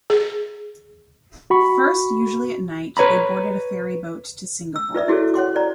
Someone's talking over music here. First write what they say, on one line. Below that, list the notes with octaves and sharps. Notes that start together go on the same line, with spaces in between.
First, usually at night, they boarded a ferry boat to Singapore.
G#4
F#4 B5 C#6
B4 C#5 A#5 B5
E6
F4 B4 D5 E5
E4 F#4 G#4 A4 C#5
C#5 F#5 C6 D6
C5 D5 A#5